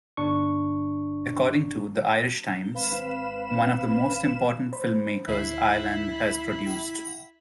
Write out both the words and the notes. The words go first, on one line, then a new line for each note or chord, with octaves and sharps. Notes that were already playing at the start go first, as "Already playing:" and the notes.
According to "The Irish Times", "one of the most important film-makers Ireland has produced".
G1 D4 C#6
G#1 C4 B4 F5 B5 E7
C5 B5
D2 E4 C7